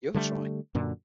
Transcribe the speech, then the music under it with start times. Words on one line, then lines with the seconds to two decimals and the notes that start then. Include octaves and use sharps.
You have a try.
0.14 D3 G3 A3
0.75 F#2 A#2 D3